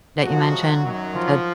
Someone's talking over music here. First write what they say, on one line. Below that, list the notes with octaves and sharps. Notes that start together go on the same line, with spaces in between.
that you mentioned? Eh th
C3 F3 F#3 G#3 F#4
F#2 D#3 F#3
F3 F4